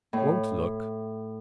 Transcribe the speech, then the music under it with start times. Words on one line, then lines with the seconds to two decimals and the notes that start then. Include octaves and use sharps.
Won't look.
0.13 A2